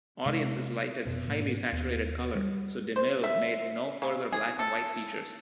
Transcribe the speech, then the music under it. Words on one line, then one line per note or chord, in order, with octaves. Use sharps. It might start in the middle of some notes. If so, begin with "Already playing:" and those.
Audiences liked its highly saturated color, so DeMille made no further black-and-white features.
C3 G#3 B3 C4
F1 B2 C4
G#2 B2 A#3
D#2 B3
G3
C5
E5
C#3
G#4
A4